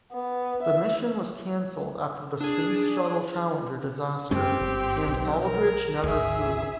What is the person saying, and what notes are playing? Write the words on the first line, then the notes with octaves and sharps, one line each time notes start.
The mission was canceled after the Space Shuttle Challenger disaster, and Aldridge never flew.
B3
E5
D4 G#4
F#2 G#3 C4 C#4 G4
G1
B1
A#4
G#1 D2 G#4 E5